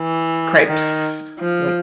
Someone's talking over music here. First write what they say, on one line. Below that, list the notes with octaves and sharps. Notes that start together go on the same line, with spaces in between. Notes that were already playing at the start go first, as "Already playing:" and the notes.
Crepes, like,
Already playing: E3
D#3
F3